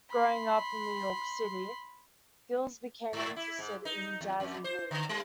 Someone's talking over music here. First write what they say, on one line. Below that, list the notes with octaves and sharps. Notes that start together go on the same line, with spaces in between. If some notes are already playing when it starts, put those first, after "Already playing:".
Growing up in New York City, Geils became interested in jazz and blues.
B5 C6
G#2
E4
G#2
D#4
E2
F2
C5
D3
G3